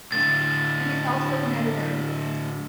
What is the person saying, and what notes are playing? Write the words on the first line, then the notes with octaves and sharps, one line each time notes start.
He is also an editor.
A2 D3 A6